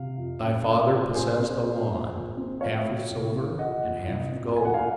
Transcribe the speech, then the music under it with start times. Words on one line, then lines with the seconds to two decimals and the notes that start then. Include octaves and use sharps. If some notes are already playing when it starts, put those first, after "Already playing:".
Thy father possessed a wand, half of silver and half of gold.
Already playing: C3 F5
0.17 F2
0.42 C#4
0.66 F3
0.91 A#2
1.14 A#1 G#4 C5
1.39 C4
1.64 F3
1.88 A#2
2.12 A#1
2.37 C4
2.61 F3 C#5 F5
2.86 A#2
3.10 C2
3.34 C4
3.59 F3 D#5 F#5
3.83 A#2
4.08 C2
4.32 C4
4.56 F3 G#5
4.65 F#5
4.74 F5 G#5